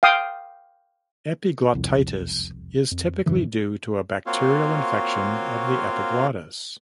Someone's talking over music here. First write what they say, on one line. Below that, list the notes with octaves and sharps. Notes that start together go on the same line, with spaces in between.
Epiglottitis is typically due to a bacterial infection of the epiglottis.
F5 G5 D#6
E1 C2 F2
F2
F2 G#2 C#3 E3
A#3 C4 F4 F#4 C#5 F5